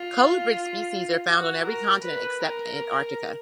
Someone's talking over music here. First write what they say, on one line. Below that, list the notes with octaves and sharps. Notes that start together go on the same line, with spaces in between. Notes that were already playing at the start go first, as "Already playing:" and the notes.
Colubrid species are found on every continent except Antarctica.
Already playing: F4
F#4
A#4
B4
A#4